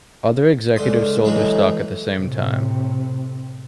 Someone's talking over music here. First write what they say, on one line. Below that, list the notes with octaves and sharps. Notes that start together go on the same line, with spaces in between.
Other executives sold their stock at the same time.
C#2 D3 C6 D#6
E3 F#3 G#3 A3 G#4
A2 C3